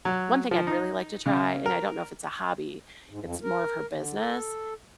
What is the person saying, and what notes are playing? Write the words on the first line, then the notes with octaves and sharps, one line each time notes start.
One thing I'd really like to try, and I don't know if it's a hobby, it's more of her business,
F#3
F3
D#4
C#3
A#4
G#2
F2
A#4
D3
A4